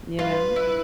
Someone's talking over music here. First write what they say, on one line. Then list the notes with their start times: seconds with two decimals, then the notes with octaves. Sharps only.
you know?
0.19 F4 B4
0.56 E4